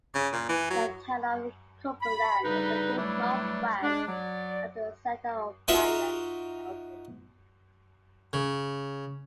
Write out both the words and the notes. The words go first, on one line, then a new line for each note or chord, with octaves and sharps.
The town of Cumberland is located northwest of the center of Barron County.
C#3
A#2
E3
F#3
B5
D2 C#3 G3 D#4 B4
E3 F#3 G3 A3 D4 E4
G#3 D4
F#3 D5
D#4 F4 F#4 A#4 E5
C#3